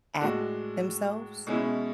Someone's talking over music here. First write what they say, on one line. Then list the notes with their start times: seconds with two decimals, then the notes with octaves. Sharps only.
at themselves,
0.21 A2 G#3 D4 F#4
1.47 B2 G#3 C#4 E4